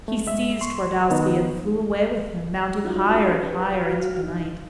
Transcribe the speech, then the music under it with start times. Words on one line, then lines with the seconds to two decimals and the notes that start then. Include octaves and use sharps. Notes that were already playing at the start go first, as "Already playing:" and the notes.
He seized Twardowski and flew away with him, mounting higher and higher into the night.
0.08 A3
0.27 G#3 E5
0.61 C6 C#6
1.10 D#3 B3 D#4
2.84 C#4 D#4 F4 F#4
3.33 G4 B4
3.73 F#4 F5
4.23 E3 D#4